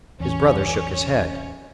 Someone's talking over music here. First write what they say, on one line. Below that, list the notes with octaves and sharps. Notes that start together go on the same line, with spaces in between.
His brother shook his head.
A1 E2 C#4